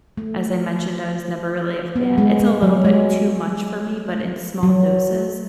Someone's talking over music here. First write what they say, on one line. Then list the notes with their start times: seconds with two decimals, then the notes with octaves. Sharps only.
as I mentioned, I was never really a fan. It's a little bit too much for me, but in small doses,
0.17 A3
1.96 B3
2.18 G#3
2.40 G#3
2.62 F#3
2.85 G#3
4.63 F#3